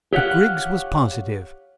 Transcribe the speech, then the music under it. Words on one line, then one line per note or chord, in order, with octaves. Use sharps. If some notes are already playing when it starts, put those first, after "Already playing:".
But Griggs was positive.
G4 C#5 F5 F#5